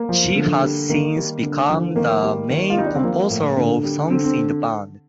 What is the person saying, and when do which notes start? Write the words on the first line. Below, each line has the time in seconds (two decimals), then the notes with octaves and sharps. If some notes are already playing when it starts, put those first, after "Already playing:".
She has since become the main composer of songs in the band.
Already playing: A#3
0.09 F3
0.36 D3
0.62 G3
0.89 D#3 A#3
1.16 G3
1.43 D3
1.69 F3
1.96 D#3 A#3
2.22 G3
2.50 D#3
2.70 F4
2.77 G3 D#4
2.86 D4
2.95 C4
3.03 F3 A#3
3.30 A2
3.57 D3
3.83 G3
4.10 D3 C4
4.24 C4